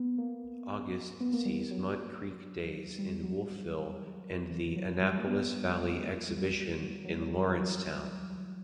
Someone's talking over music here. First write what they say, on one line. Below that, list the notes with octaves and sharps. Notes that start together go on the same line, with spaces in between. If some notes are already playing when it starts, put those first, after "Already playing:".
August sees Mud Creek Days in Wolfville and the Annapolis Valley Exhibition in Lawrencetown.
Already playing: B3
A#3
B3
A#3
G3
F#3
G3
F#3
E3
E3
F#3
G3
G3
A#3
B3
A#3
G3
F#3
G3
F#3
F#3
G3
F#3
E3
F#3